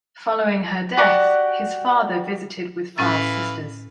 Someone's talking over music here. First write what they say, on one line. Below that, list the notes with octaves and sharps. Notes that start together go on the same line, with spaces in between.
Following her death, his father visited with Farr's sisters.
F#4 G4 D5 F#5
A2 E3 C#4 B4 F5 A6